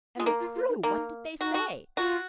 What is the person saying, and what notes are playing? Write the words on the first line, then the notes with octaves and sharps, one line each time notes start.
"And the crew, what did they say?"
G#3 F4
A#3 D#4
F4
F4
D#4
A#3 D#4
D#4 F#4
F#4
F4 F#4